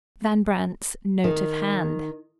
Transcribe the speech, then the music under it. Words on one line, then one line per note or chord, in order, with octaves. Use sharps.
Van Brandt's note of hand!
D#3